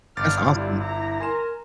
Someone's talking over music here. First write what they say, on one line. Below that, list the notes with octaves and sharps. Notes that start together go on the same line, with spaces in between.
That's awesome.
G1 D5 D6 F6 A6
G3 E4 F4
E4 A#5
A#4 G#5 C6 E7